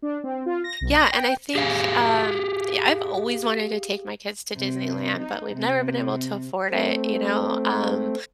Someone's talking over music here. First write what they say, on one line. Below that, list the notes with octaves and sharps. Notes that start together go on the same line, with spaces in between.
Yeah, and I think, um yeah, I've always wanted to take my kids to Disneyland, but, we've never been able to afford it, you know, um,
D4
C4
F4
A#6
B1
A#6
G5
G4 G#4 F5 F#5 G#5
C3
D#4
C3
A3 C4